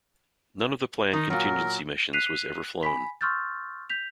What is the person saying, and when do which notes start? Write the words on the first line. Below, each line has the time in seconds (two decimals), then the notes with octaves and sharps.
None of the planned contingency missions was ever flown.
1.13 D#3 D#4
1.30 A#2 F#3 A#4
2.13 F#6 B6 C7 D#7 F7
2.83 G#5 B5 B6
3.21 C6 C#6 E6 F6 G6 A6
3.90 G6 B6 F7